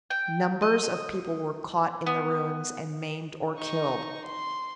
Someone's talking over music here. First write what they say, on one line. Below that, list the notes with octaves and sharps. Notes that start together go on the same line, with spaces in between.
Numbers of people were caught in the ruins and maimed or killed.
G5
D#5
B3
D#4 C#6
C6